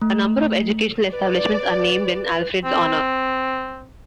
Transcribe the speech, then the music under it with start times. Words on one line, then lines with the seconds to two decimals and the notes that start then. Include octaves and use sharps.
A number of educational establishments are named in Alfred's honour.
0.02 A3
1.12 B4 D5
2.65 C4